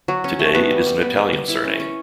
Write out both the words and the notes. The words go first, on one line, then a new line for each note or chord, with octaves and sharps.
Today it is an Italian surname.
F#3
C#4
A3
B3
G3
G3
B3
G3
G3
E4
C#4
C#4